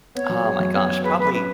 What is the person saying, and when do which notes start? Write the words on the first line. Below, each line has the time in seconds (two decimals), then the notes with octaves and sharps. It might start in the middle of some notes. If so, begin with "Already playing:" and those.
Oh my gosh. Probably
0.15 B3 C#5
0.30 F#3
0.45 G#4
0.60 F#2
0.74 B3 C#5
0.89 F#3
1.04 G#4 B4
1.18 F#2 B4
1.33 C#4 B4